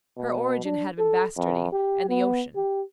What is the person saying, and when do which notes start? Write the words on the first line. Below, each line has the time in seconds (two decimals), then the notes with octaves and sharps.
Her origin had been bastardy and the ocean.
0.17 B2
0.65 D4
0.99 A4
1.38 F2
1.72 G4
2.09 B3
2.56 G4